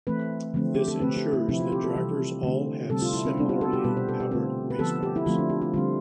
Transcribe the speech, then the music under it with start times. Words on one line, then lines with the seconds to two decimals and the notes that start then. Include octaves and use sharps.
This ensures that drivers all have similarly powered racecars.
0.07 E3 A3 C4 B4
0.54 D3 F3 A3 C4
0.75 G4
0.88 A4
1.01 D3 A3 C4 B4
1.17 G4
1.33 E4
1.49 C3 F3 C4 E4
1.60 F4
1.72 G4
1.84 A4
1.96 C3 E3 G3
2.43 D3 A3 C4
2.90 C3 G3 C4 A4
3.02 F4
3.13 E4
3.25 C4
3.37 C3 G3 B3 D4
3.49 F4
3.61 A4
3.73 G4
3.84 B2 G3 B3 B4
3.97 C5
4.09 A4
4.20 G4
4.31 D3 A3 C4 F4
4.71 B4
4.79 D3 F3 B3 A4
5.03 G4
5.16 E4
5.26 D3 F3 A3 C4 F4
5.38 D4
5.50 G4
5.61 F4
5.73 D3 G3 C4 F4